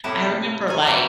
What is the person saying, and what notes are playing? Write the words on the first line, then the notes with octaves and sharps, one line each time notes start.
I remember like
A2 C3 G3 B3 E4 A4
D#3 C#5 G#5
E3 F#3 G3 C4 G4 A#5